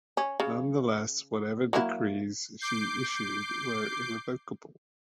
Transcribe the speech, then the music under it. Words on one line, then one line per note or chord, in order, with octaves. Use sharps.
Nonetheless, whatever decrees she issued were irrevocable.
C#4
C#3
F#3 A#3 E4
D6 G6 C7